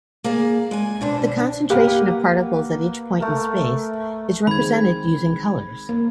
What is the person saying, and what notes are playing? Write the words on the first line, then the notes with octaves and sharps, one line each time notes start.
The concentration of particles at each point in space is represented using colors.
A#3 G#4 D5
G#3 D5 G#5
B2 D3 D4 C5
A#3 G4 B4 F#5
A3 A#4
D#3 G#3 C4 B5 G#6
A#3